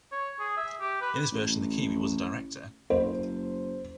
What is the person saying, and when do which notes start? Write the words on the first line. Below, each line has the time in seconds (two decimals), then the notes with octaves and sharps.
In this version, the Kiwi was a director.
0.12 C#5
0.40 G#4
0.57 E5
0.81 G4
1.02 B4
1.32 A1
2.90 F#1 C5